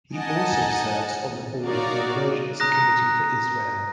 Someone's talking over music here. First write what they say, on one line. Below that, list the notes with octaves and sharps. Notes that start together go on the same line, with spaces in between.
He also serves on the board of the Emergency Committee for Israel.
D#4 D#5 F#5 G#5 A5
G#1
D#4 F#4 A#4 C#5 D5 F5
A#5 D#6 F#6 A#6